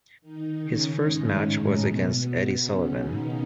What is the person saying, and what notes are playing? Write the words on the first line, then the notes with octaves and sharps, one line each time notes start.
His first match was against Eddie Sullivan.
D#3 D#4
C#3 C#4
G#2 G#3
A2 A3
B2 B3
B2 B3
C#3 C#4
D#3 D#4